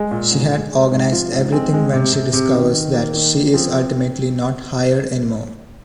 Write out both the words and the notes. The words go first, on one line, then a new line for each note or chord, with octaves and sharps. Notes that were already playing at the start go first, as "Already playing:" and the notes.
She had organized everything when she discovers that she is ultimately not hired anymore.
Already playing: G#3
A#2
G#2
G#3
G#3
G#2
F3 F4
G#2
G#3 C4
G#3
C3
C3
C3
D#3
D#3
A#3
D#3
A#3
F3 C4